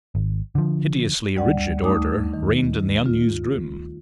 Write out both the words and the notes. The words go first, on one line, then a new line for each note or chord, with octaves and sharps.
Hideously rigid order reigned in the unused room.
G#1
D3 F3
D2 G3 D5 F#5
D#2 A3 D#4 D6 D#6
D#3
F4